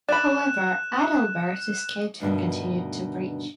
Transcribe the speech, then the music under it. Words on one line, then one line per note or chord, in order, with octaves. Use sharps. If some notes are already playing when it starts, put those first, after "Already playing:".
However Adalbert escaped and continued to preach.
D5 B5 F#6 E7
D2 G2 B2 D#3